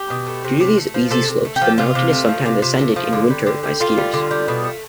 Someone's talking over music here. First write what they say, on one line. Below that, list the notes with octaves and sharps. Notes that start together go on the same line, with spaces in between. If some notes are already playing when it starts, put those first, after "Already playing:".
Due to these easy slopes, the mountain is sometimes ascended in winter by skiers.
Already playing: G4
B2
A3
C3
C3
A3
F3
C3 A4
C3
A3
G4
F3
C3 F4
C3
A3
F3
C3
C3
A3
F3
D3
G3
D3
G3
D3 F4
G3
D3
G3
B2
A3